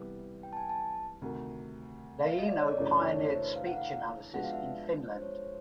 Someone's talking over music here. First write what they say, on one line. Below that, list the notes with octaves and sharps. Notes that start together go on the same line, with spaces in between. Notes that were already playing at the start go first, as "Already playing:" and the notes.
Leino pioneered speech analysis in Finland.
Already playing: C3 E3 G3 B3
G5
A5
G#5
A5
D2 C3 D#3
F5
E5
D#5
D5
C#5
D5
F#2 C#3 E3 A3 D4 C#5
D5
C#5
C#5
C5
B4
F5
F#5
F5
F3 G#3 B3 D4 F#4 F#5
F5
E5
C5
C#5
C5